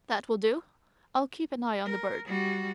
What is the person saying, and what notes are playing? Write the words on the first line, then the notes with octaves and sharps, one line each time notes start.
"That will do; I'll keep an eye on the bird."
A#4
G3 F#4